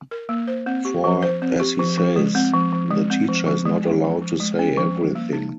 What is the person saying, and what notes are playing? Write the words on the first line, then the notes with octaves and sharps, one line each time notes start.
For, as he says, the teacher is not allowed to say everything.
A#4
A#3
C5
C4
G4
F3
C5
C4
G4
F3
F3
G#3
C4
F3
F3
G#3
C4
F3
F3
G#3
C#4
F3
F3
G#3
C#4
F3
G3
A#3
D#4